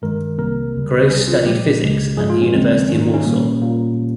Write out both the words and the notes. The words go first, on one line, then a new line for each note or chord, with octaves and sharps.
Gross studied physics at the University of Warsaw.
G2 D#3 G#3 A#4
C2 C3 G3 A#3 A#4
D#2 C#3 G3
C2 C3 G3 G#4
F4
A#2 F3 G#3 G4
C#2 C#3 G#3
G#2 F3 G#3 G#4
F4
C#4
D#2 C#3 F3 G#3 C4
G#2 D#3 A#3 C#4
D#4
C#4
A#2 G3 A#3
A#2 G3 A#3